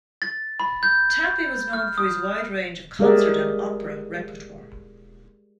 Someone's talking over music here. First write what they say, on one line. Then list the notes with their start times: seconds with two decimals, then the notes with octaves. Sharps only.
Tappy was known for his wide range of concert and opera repertoire.
0.22 A6
0.60 B5
0.83 G6
1.73 F6
1.98 D#6
2.99 G#3 G4 G#4 A#4 D5 E5